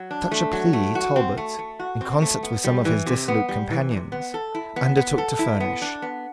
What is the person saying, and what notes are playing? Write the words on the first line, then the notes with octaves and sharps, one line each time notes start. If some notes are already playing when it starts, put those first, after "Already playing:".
Such a plea Talbot, in concert with some of his dissolute companions, undertook to furnish.
Already playing: F#3
D4
A3
F#3
A3
F#4
C4
A3
A3
F#4
C4
A3
B3
G3
E3
C3
B3
G3
E3
C3
B3
A4
E4
B3
B3
A4
E4
B3
D4
B3